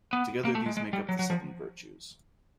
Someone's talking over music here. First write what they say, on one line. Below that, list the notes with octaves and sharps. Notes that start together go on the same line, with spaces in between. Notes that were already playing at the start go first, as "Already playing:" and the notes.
Together these make up the seven virtues.
B3
A#3
A3
G#3
G#3
G3
F#3
F#3
F3